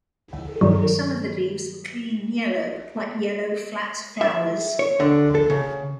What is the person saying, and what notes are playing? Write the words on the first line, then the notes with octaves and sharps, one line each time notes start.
Some of the leaves were clean yellow, like yellow flat flowers.
G2 D#3 F#3
E5
C#5
D3
A4
C#3